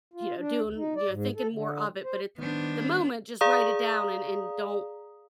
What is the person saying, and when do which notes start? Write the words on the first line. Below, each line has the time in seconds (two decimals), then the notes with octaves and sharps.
you know, doing you know, thinking more of it. But at th the moment, just write it down and and don't,
0.14 F4
0.38 D4
0.64 D2
0.77 D#4
0.96 D5
1.09 G#2
1.37 A4
1.52 D3
2.04 C5
2.38 D#3 G3 B3 D4 C5
3.41 G#4 D5 F5 A#5 D#6